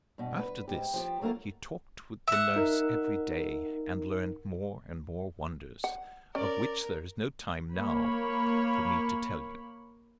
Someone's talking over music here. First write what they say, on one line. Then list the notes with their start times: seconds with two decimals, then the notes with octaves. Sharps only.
After this he talked with the nurse every day, and learned more and more wonders, of which there is no time now for me to tell you.
0.18 G2 B2
0.39 B4
0.68 G#2 G4
0.94 F3 G4
1.21 F#3 A3 A#3 F4 A#4
2.28 E5 F#5
2.56 D#4 A#4
5.84 F#5
6.35 C#4 A#4 D5
7.75 A#3 C#5 B5